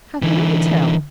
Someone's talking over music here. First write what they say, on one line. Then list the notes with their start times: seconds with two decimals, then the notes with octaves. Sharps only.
"How can I tell?"
0.22 D3 E3